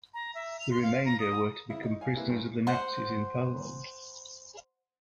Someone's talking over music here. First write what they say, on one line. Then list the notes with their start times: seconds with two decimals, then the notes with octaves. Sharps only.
The remainder were to become prisoners of the Nazis in Poland.
0.14 A#5
0.35 E5
0.59 F7
0.71 C6
0.83 F5
1.05 A#5
1.20 D#6
1.70 C#3 E4
1.83 D#4
2.01 F5 G#5
2.14 C3 A#3 E4 B4
2.27 C2 G2
2.67 C5 F#5